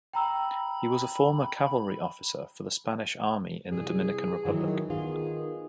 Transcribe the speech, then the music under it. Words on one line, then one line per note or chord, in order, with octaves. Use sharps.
He was a former cavalry officer for the Spanish Army in the Dominican Republic.
G5 A#5 B5 E6
C3 E3 G3 G#4
D#3 E3 F#3 E4
D#3 B3 F4 G#4